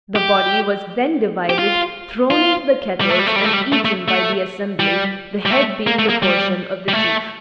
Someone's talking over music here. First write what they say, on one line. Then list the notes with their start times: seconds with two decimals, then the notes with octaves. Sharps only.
The body was then divided, thrown into the kettles, and eaten by the assembly, the head being the portion of the chief.
0.16 G4
1.50 G4
1.59 F4
2.30 F4
3.01 G3
3.10 A3
3.19 G3
3.27 A3
3.36 G3
3.45 A3
3.53 G3
3.73 A3
3.85 A3
4.08 A3
4.80 G3
5.46 G3
5.51 A3
5.87 A#3
5.99 A3
6.09 A#3
6.23 G3
6.88 G3
6.93 A3